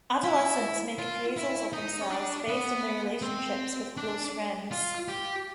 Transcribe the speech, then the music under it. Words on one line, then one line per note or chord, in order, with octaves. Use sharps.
Adolescents make appraisals of themselves based on their relationships with close friends.
E4
F4
E4
D#4
C#4
D4
B3
C4
D4
F4
G4